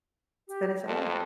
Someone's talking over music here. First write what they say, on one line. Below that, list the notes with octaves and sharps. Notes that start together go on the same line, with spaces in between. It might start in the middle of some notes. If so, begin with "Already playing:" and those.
finish at home.
G4
F2 A5